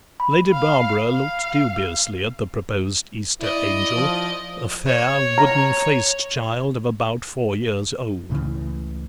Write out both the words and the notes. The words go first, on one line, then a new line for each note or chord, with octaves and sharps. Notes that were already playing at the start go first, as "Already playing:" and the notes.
Lady Barbara looked dubiously at the proposed Easter angel, a fair, wooden-faced child of about four years old.
B5
F5
F5
E4 D5 D#5
F3
C#5
A#5
C#2 A2 C#3 E3